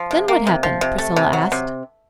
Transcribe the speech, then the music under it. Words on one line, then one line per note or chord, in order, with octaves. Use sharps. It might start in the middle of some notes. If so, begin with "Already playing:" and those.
"Then what happened?" Priscilla asked.
Already playing: F3
C3
A#3
C3
F3
C3
A3
C3
F#3
C3